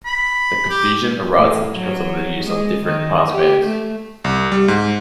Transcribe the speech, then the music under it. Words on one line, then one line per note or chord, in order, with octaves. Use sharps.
The confusion arises because of the use of different passbands.
B5
G4
A2
F#3
G#3
D#3
G4
A3
C2
G3
G#2